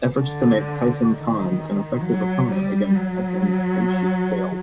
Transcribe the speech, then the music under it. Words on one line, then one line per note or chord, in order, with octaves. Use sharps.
Efforts to make Taisun Khan an effective opponent against Esen Taishi failed.
D3
D#3
F#3
G3
F#3